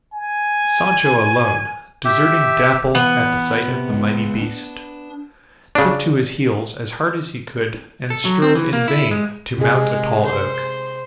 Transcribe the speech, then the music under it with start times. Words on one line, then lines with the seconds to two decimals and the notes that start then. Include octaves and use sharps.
Sancho alone, deserting Dapple at the sight of the mighty beast, took to his heels as hard as he could and strove in vain to mount a tall oak.
0.13 G#5
2.05 G4 E5
2.95 E3 B3
3.68 C3
3.90 C#2 G#3
4.42 D4
5.75 C#3 D4
8.10 A4
8.25 F#3
8.42 C4
8.55 E3
8.73 A#3
8.88 E4
9.11 G#3
9.58 C3 G#3 G#4
10.24 C5